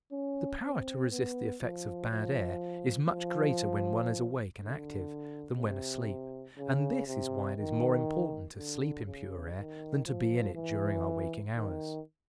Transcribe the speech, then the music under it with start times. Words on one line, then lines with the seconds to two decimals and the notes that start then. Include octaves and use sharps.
The power to resist the effects of bad air is much greater when one is awake and active than when asleep, and this is why it is more important to sleep in pure air than to be in it during our waking hours.
0.12 C#4
0.62 C4
1.11 B3
1.61 F3
2.11 F3
3.10 F3
4.59 D3
5.58 C3
6.58 C#3
7.07 C3
7.58 D#3
8.57 D3
9.06 C#3
9.56 D#3
10.06 F3
10.55 E3
11.55 D#3